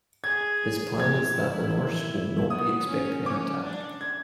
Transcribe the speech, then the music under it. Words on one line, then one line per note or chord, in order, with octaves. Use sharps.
His plan is that the Norse will not be expecting an attack.
G#4 G#6
G4 G#6
E4
B3 D#6
C#4
C#4 D6
D4
G#6